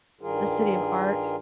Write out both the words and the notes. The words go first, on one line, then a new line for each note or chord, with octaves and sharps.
the city of art.
G2 D#3 G3 F4 G#4 A#4